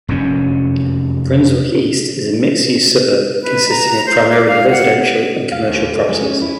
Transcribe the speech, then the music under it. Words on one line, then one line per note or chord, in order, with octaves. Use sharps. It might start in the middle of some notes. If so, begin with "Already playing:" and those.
Brunswick East is a mixed-use suburb, consisting of primarily residential and commercial properties.
F1 F#2 D3 C#4
B4
A#5
C5
D6
F5
F#5
F5
D#2
D3
G#3
C#4
E4